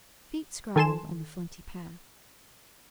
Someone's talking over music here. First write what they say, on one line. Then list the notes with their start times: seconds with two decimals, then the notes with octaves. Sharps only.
Feet scrabbled on the flinty path.
0.76 D#3 A4 G#5 A5 C6 E7